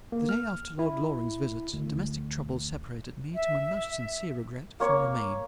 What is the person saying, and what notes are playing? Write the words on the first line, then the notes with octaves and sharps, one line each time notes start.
The day after Lord Loring's visit, domestic troubles separated me, to my most sincere regret, from Romayne.
A#3
F6
E4
D2
E5
A#3 C#5 C#6